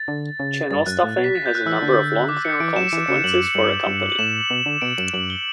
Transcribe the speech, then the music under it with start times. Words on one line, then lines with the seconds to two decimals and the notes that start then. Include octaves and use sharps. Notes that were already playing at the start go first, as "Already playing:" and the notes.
Channel stuffing has a number of long-term consequences for a company.
Already playing: A6
0.08 D3
0.40 C#3
0.71 G2 A6
0.86 F#2 F#6
1.03 A2
1.18 B2
1.24 B6
1.36 A6
1.46 G6
1.55 F#6
1.66 E3 E6
1.82 D3
2.29 D6
2.45 C#7
2.60 E3 D7
2.76 F#3 E7
2.92 E3 D7
3.08 C#3 C#7
3.24 F#2 F#7
3.55 G2
3.87 G2
4.10 F#7
4.19 A2 E7
4.50 B2
4.66 D3
4.81 B2 D7
4.98 F#2 E7
5.14 F#2 F#7
5.30 G7